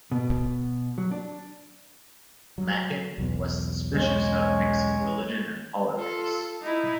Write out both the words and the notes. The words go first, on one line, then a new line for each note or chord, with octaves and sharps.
Machen was suspicious of mixing religion and politics.
B2
F#3
D4
F#3
B1 E2
G#3 C#4
F4 A4
D#4 E4